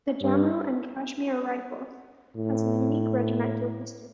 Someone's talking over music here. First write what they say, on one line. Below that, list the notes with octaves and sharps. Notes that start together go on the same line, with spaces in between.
The Jammu and Kashmir Rifles has a unique regimental history.
G2
A2